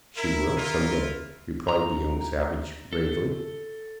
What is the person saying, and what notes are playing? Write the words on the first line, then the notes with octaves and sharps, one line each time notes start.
"She will, some day," replied the young savage, gravely.
E4 A#4
E4 F4
A#5
A4